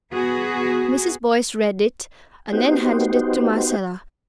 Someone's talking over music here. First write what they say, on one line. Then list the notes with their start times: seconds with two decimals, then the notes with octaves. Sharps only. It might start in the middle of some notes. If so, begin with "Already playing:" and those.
Mrs. Boyce read it, and then handed it to Marcella.
0.13 B3 F#4 G#4
2.53 B3 D#4 F#4 G4 C5